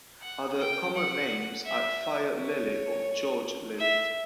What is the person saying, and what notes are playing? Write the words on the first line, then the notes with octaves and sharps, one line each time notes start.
Other common names are fire lily or George lily.
F#5
G5
F#5
E5
C#5
E5